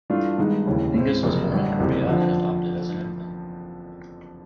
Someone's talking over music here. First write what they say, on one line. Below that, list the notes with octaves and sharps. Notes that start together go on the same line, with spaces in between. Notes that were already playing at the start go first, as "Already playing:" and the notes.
Mingus was born in Korea and adopted as an infant.
G2 E3 A3 D4 F4
G2 D#3 G#3 B3 D#4
F1 D#2 C#3 E3
A2 E3 G#3 C4
F#1 F2 C3
A1 G2 D3
F#1 E2 C3
F2 D3 F3